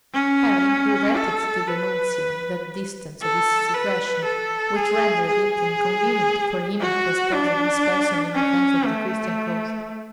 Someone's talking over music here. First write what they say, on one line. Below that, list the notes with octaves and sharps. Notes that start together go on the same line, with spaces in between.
Henry regretted to the nuncio the distance of his situation, which rendered it inconvenient for him to expose his person in defence of the Christian cause.
C#4
A4
B4
A4
B4
A4
G#4
G#4
F#4
D4
C#4
A3